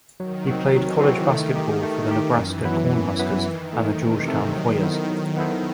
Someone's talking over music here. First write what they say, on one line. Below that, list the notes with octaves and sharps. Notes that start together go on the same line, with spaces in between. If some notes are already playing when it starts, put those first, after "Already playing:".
He played college basketball for the Nebraska Cornhuskers and the Georgetown Hoyas.
D#3 F#3
C4 F#4
E3 F#3
C4 F#4
D#3 A3
D#4 G4
A3
D#4 G4
F#2 E3
F#3 B3 E4 B4
F#2
F#3 B3 E4 B4
D#3 E3
A3 D#4 A4
C3 E3
A3 D#4 A4
D#3 F#3
B3 E4 A4 C5
D#3 F#3
B3 E4 A4 C5